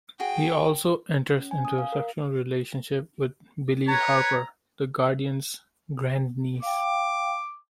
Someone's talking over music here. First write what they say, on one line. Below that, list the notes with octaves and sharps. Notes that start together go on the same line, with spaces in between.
He also enters into a sexual relationship with Billi Harper, the Guardian's grandniece.
F#4 G#4 G5
C#4
G#5
D#6
F5
A#4
B4 C#5 A#5
F5 G5 D6